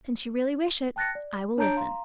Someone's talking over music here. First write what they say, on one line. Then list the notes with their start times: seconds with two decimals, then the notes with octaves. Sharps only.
"Since you really wish it, I will listen."
0.96 G5 A5 F#6 A6 A#6 C#7
1.15 D5
1.57 D4 C#5 A5 A#5 G6 D7
1.77 F5 A#5 C6